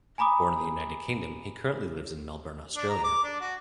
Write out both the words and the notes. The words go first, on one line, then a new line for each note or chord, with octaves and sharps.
Born in the United Kingdom, he currently lives in Melbourne, Australia.
G#5 A#5 B5 D6 D#6
D4
A#5
D6
D4
F#4